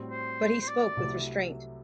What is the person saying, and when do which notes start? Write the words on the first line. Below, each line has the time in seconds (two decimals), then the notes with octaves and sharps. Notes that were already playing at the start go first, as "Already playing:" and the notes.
But he spoke with restraint.
Already playing: A2 G3 C4 F#4
0.11 C5
0.61 C5
0.68 D5
0.97 C2 C3 F#3 A3 E4